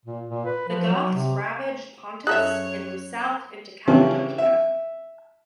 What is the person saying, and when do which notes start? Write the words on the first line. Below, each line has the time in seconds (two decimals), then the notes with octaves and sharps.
The Goths ravaged Pontus and moved south into Cappadocia.
0.06 A#2
0.29 A#2
0.45 B4
0.69 F3
0.87 F#3
1.13 C3
2.27 F#2 G#4 A4 C#5 E5 F#6
3.88 C#3 E3 C#4 D4 G4
4.38 E5